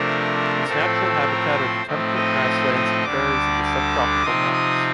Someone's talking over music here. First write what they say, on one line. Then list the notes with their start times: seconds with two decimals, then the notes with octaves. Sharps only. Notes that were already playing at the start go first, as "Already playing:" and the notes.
Its natural habitat are the template grasslands and prairies of the subtropical mountains.
Already playing: C3 F3 A3 D4 A#4
0.66 A2 F3 A3 C4 A4
1.26 A#4
1.55 C5
1.85 A2 F3 A3 C4 D#4
2.14 D#5
2.74 D#5
3.04 D2 D3 G3 D4 D6
3.63 D6
4.23 C3 F3 C4 D#4 D#6
4.52 D#6